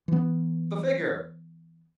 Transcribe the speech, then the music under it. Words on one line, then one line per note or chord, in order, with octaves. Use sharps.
The figure!
E3 B3